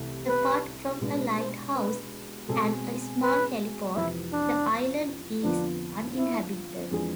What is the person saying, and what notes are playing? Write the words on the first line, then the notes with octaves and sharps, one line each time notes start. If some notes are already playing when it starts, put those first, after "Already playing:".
Apart from a lighthouse and a small heliport, the island is uninhabited.
Already playing: C2 C3 E3 A3
B4
B2 G#3 B3 D4
C5
B4
B2 G#3 C4 G#4 A4
B4
F2 C3 E3 E4
D4
F2 D3 F3 B3 D4 F4
E4
F2 E3 G#3 D4 G#4